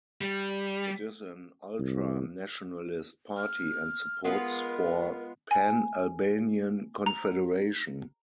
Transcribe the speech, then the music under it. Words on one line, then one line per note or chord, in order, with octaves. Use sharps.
It is an ultra-nationalist party and supports for pan-Albanian confederation.
G3
C2
F6
G#3 B3 F4 A#4
G#5
A#5